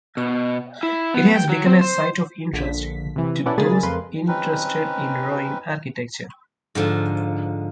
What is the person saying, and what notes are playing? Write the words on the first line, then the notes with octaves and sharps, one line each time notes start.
It has become a site of interest to those interested in ruined architecture.
B2
E4
B3
G5
F#3
C4
C5
A#1 D3 B6
C3 E3
B3 C#4 E4 A4 D5 F#5
C#3 G#3 A#3 G#4 B5 A6
F2 A#4 B4 C6
C4 C#4 D#4 B4
G#2 D3 F3